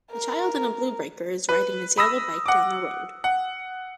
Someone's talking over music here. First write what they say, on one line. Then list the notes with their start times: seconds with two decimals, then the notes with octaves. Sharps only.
A child in a blue breaker is riding his yellow bike down the road.
0.11 A#4
1.49 B4
1.98 B5 D#6 E6 A#6
2.46 F#5 D6
3.24 F#5